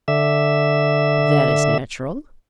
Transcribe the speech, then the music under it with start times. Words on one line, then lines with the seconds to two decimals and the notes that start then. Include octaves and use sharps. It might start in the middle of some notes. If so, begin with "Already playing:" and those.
"That is natural."
0.08 D3 E5